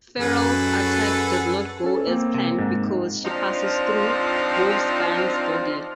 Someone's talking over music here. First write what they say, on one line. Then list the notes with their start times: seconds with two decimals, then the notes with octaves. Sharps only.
Feral's attack does not go as planned because she passes through Wolfsbane's body.
0.20 F#2 F#3 G#4 A4 B4
1.84 C#4 A4
2.07 A#3 C4
2.34 C3
2.59 G#2
3.25 F3 C4 D4 D#4 F4